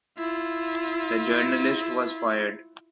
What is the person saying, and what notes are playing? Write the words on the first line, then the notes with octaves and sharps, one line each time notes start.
The journalist was fired.
E4 F4